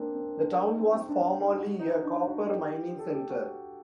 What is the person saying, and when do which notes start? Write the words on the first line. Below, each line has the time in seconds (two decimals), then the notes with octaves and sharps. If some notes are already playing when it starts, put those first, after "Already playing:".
The town was formerly a copper-mining center.
Already playing: A#3 C4 D4
0.14 C4
0.37 D4
0.61 D#4
0.77 C4
0.94 C4
1.09 D4
1.22 D4
1.33 D#4
1.57 F#4
1.79 D#4
2.04 D4
2.27 F#4
2.51 G4
2.99 A4
3.14 G4
3.30 F#4